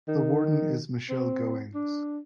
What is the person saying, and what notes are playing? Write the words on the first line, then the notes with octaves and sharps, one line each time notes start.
The Warden is Michelle Goings.
D#3
C4
D4